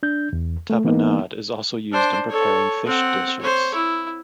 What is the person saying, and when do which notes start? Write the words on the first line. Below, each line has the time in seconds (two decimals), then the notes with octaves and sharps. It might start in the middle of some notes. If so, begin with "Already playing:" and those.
Tapenade is also used in preparing fish dishes.
0.03 D4 G6
0.33 E2
0.70 A3
0.84 E3 A#3 B3 D#4
1.92 D4 C5
2.30 A4 C#5
2.86 C4 F#5
3.40 C5 C#5
3.74 E4